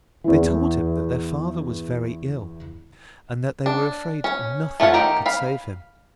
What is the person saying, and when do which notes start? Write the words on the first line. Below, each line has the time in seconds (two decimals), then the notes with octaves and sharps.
They told him that their father was very ill, and that they were afraid nothing could save him.
0.24 E2 E3
3.66 D4
4.24 C#4
4.80 A3 C#4 F4 F#5
4.94 D#3 G4 A#5
5.26 F5 B5